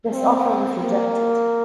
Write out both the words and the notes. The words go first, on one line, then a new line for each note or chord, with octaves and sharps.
This offer was rejected.
C4
A#3